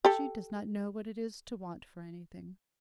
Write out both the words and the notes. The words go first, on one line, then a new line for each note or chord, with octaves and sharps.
"She does not know what it is to want for anything."
G4 A4